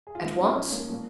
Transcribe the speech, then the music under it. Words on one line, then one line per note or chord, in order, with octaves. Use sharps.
"At once?"
G#4
F4
A#2 F3 D#4
C#4
C#4
A#3
A#2 F3